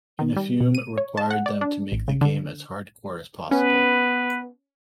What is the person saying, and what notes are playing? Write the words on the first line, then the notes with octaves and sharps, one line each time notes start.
Inafune required them to make the game "as hardcore as possible".
D#3
G3
B2
D#7
C#5
A5
F#5
D5
D4
A1
C#3
D3
B3 C#4 B4